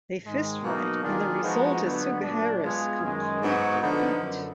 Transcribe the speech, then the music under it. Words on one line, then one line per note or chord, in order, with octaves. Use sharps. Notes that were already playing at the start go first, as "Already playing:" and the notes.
They fistfight, and the result is Sugihara's complete defeat.
G#2 D#3 G#3
B2 F#3 A#3 D#4
D#3 A#3 D4 F4 G#4
F3 G#3 B3 D#4 F#4
D3 F#3 B3
A#2 F#3 D4
G#3 B3 F4 G#4
F#2 D#3 G#3
G#2 F#3 B3 D#4 F#4
D3 F3 B3 D#4
F#2 D3